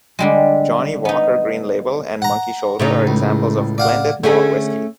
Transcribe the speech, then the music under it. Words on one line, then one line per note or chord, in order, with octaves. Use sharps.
Johnnie Walker Green Label and Monkey Shoulder are examples of blended malt whisky.
D3 G3 G#3
B3 D#4
F#5 A#5
A2 C#3 D#4
C#2
D5 F5 F#5
D3 A3 C#4 G#4